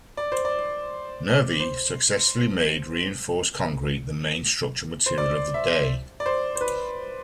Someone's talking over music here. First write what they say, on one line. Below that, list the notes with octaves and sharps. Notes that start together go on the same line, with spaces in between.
Nervi successfully made reinforced concrete the main structural material of the day.
D5
C5
D5
C5
C5
D5
E5
D5
C5
C5
B4